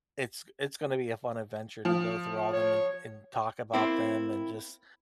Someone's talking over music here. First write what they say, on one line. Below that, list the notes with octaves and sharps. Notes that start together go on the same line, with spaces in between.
it's it's gonna be a fun adventure to go through all of them and and talk about them and just
F3
C#5
A#3 C4 E4